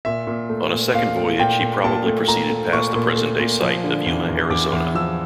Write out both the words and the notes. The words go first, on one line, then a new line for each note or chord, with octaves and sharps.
On a second voyage, he probably proceeded past the present-day site of Yuma, Arizona.
A#2 E5
A#2
A3
A#2
A#2 F5
A3
A#2 G5
A#2
A#2 A5
A3
A#2 A#5
A3
A#2 C#6
A#2
A3
A#2
F3
D3
E2
E2
E2 D6
E2
F3 E6